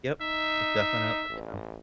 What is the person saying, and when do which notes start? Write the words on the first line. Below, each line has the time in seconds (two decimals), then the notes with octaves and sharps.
Yep. Most definitely am.
0.22 D#4 E5
1.30 A1